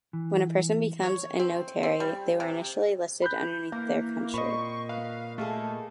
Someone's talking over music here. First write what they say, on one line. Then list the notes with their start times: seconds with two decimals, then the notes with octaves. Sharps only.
When a person becomes a notary, they were initially listed underneath their country.
0.13 E3
1.03 C#5
1.39 C4
1.83 C4
2.00 G3
2.40 C3
3.22 B5 F#6 G6
3.72 E3 A#3
4.34 A#2 C4 D#5 B5 C#6
4.89 B4 F5
5.38 A3 A#3 G#4 A4